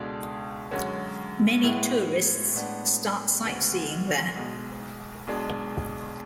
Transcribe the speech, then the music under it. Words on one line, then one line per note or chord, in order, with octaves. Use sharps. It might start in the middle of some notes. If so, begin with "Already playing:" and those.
Many tourists start sightseeing there.
Already playing: C#2 B2 G#3 D4 A4
F#2 D3 G#3 C#4 F#4
A2 G#3 B3 E4
A2 G#3 B3 D4
D2 C#3 G#3 B3
B1 B2 G#3
B1 B2 G#3 D4 G#4